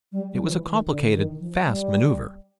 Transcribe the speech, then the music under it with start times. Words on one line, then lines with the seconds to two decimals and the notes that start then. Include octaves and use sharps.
It was a complicated, fast maneuver.
0.12 G3
0.32 G3
0.43 F3
0.50 E3
0.69 D#3
0.88 D3
1.13 D#3
1.40 F3
1.64 G3